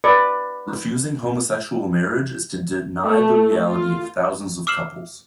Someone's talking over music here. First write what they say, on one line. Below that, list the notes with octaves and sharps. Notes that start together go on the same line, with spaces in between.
Refusing homosexual marriage is to deny the reality of thousands of couples.
B4 D5
A3
F4
D6 E6 F6 C7 E7 F#7